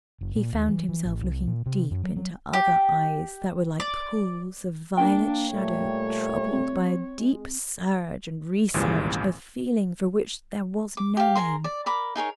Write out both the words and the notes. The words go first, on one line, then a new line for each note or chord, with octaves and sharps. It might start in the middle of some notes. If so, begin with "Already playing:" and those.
He found himself looking deep into other eyes that were like pools of violet shadow troubled by a deep surge and resurge of feeling for which there was no name.
F#1
A#2
D#2
E3
E3
A1
C2
A#2
C3
F#2
F#3
F#3
G4
D5
A#3 D4 G5
A#2 G3 A3 C#5
C4
G#3
G#1 C#2 A#2 C#3 E3 G3
D6
G4 F5
G#4 A#4 A#5 C6
D5
A#4 B5 D6
D#4 G#4 A#4 C#5